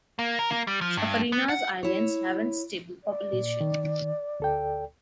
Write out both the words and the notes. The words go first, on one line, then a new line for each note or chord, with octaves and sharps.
Chafarinas Islands haven’t stable population.
A#3
A#4
A#3
G3
F3
G2
B3
F#5
E4 C#5
D5
A#2
D#3
D2 A4 G5